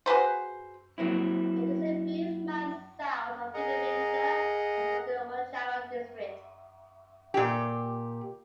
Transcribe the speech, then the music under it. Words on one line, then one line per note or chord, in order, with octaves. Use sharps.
It is a few miles south of Kidderminster and is in Wychavon district.
F#4 G#4 B4 C5
F#3 A#3 C4 E4
G#4 A#4 D#5 F#5 A#5
A#2 G4